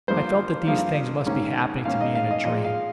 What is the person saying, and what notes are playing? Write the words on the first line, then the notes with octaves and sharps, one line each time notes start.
I felt that these things must be happening to me in a dream.
G2 F3 A#3 C5
G2 F3 A#3 F5
G#2 D#3 A#3 C#4
G#2 D#3 A#3 C#4 F5
D#5
F5
D#5
A#2 F3 G#3 D#5
F5